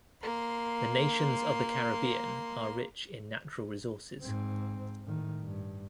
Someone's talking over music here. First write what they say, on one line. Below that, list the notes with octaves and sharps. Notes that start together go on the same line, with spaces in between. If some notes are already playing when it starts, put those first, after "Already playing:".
The nations of the Caribbean are rich in natural resources.
A#3 C6
G#2 C4
A2 D#3
G2